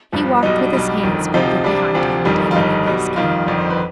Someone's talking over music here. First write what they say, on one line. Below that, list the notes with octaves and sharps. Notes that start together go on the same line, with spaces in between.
He walked with his hands folded behind him, dangling his cane.
G#1 G2 F3
B1 B2 G3 D#4
D4
B1 B2 G3
G1 F2 D#3
D2 C3 F3 D#4
C2 C3 G3 D4
D2 C3 F3
G1 F2 D#3 G3
F4
G1 G2 D#3 G3 D#4
B1 B2 G3
F2 D#3 G3 F4
G1 F2 D#3 D5
C5
B4